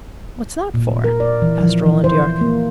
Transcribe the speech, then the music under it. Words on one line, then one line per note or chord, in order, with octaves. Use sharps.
"What's that for?" asked Roland Yorke.
A#2
A#4
D5
E3
F3
E3
C5
A#3